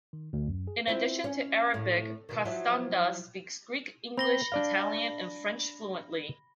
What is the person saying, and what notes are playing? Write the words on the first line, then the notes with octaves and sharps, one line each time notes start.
In addition to Arabic, Costanda speaks Greek, English, Italian and French fluently.
D#3
D2
F#2
G#4
C4 E4 F4
C#4
A2
B2 D#3
F3 F#3 E4
C4 B5 A#6 G7
D4 D5 F5